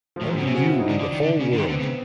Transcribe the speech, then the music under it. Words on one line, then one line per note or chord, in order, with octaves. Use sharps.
Only you in the whole world.
F3
A2 F#3
G#2
C4
B2
C#4
C3
C#3 F#4
F4
E4
D#4
D3 D4
D3
D#3
D3
C#3
D3
D#3
C4
D3 B3
C#3 B3